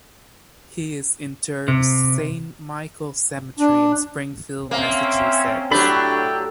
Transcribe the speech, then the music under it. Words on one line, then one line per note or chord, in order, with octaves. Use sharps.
He is interred Saint Michael Cemetery in Springfield, Massachusetts.
C3
D4
A#3 C4 C#4 E5
A2 F#3 D4 G4 A4 B5